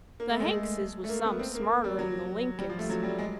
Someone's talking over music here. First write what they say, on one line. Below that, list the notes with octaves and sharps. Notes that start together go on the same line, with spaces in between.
The Hankses was some smarter'n the Lincolns.
A#3
A3
G#3
A3
A3
A#3
B3
C4
A#3
G3
F#3
G3
F3
A3
F#3
G3
G#3